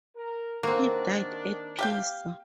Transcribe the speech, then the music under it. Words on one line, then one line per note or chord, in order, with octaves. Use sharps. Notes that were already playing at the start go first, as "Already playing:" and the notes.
He died at Pisa.
A#4
D#3 A#3 C4 D4 F#4
G4 F5 G5